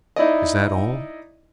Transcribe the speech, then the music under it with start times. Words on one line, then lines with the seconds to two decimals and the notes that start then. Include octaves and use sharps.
"Is that all?"
0.16 D#4 E4 D5 D#5